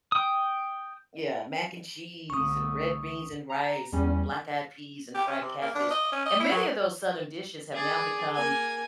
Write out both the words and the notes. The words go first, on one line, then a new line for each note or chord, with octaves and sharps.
yeah, mac and cheese, and red beans and rice and black eyed peas and fried catfish. And many of those Southern dishes have now become
G5 D#6
C2 D3 A3 C#6 D#6
A#5
E2 G3 C#4
G4
C#4
C3
A#3
D4
D#5
C#4
D#5
E4
F#3
G#4 D5
A#3 G#5